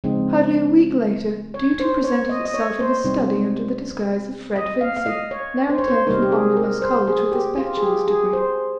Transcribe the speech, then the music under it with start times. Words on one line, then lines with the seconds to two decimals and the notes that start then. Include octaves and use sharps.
Hardly a week later, Duty presented itself in his study under the disguise of Fred Vincy, now returned from Omnibus College with his bachelor's degree.
0.04 C#3 F3 G#3 C4 D#4
1.54 C#5
1.80 C5
2.04 C#5
2.29 D#5
2.45 D#5
2.54 C#5
2.80 C5
3.04 C3 G3 C4 D#4
4.56 D#5
4.81 F5
4.97 F5
5.06 D#5
5.31 C#5
5.69 C5
5.78 C#5
5.88 C5
6.07 C3 G3 A#3 D#4 A#4
6.22 G4
6.32 G#4
6.57 A#4
6.82 C5
7.07 G#4
7.32 G4
7.58 F4
7.77 G#4
7.83 G4
8.08 G#4
8.33 C5